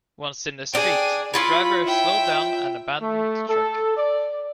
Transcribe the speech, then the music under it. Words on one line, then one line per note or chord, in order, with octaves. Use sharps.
Once in the street, the driver slowed down and abandoned the truck.
D4 G#4 G5 D#7
E4 F4 C#5 B5
E5 G5
A3
A4
D5